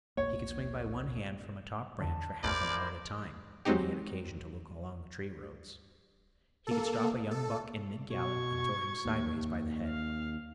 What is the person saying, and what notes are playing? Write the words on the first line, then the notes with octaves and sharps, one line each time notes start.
He could swing by one hand from a top branch for half an hour at a time, when he had occasion to look along the tree-roads. He could stop a young buck in mid-gallop and throw him sideways by the head.
A#1 D#2 A#3 C#5
E2 D3 A5
A1 E2 G2 E4 A#4 C5 D5 D6
F#3 G#3 C4 D#4 G4
A#3 A4
A4
B2 C#6 G#6
D#2
F5